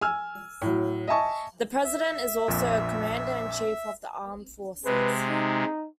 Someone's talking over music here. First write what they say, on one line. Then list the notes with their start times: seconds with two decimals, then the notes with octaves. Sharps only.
The president is also the commander-in-chief of the Armed Forces.
0.01 G#5 E6 F6
0.62 A2 F#3
1.07 D#5 E5 G#5 A5 C#6
1.84 E5
2.48 A#1 F2 A#2
4.85 C3 G#3 B4
5.28 D#4